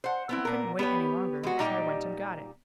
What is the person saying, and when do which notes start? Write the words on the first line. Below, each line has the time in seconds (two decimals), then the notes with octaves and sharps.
"I couldn't wait any longer, so I went and got it."
0.04 C5 F#5
0.29 B3 C4 E4
0.45 A#2 A#4
0.79 B3 G4 C#5
1.43 G#3 F#4
1.59 A#2 G3 D#4 G4 D#5 G5